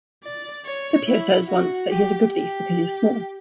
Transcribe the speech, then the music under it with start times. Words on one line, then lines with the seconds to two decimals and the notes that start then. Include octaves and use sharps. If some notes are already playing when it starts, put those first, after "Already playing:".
Scipio says once that he is a good thief because he is small.
0.23 D5
0.66 C#5
1.07 E4
1.48 F#4
1.90 G4
2.32 G4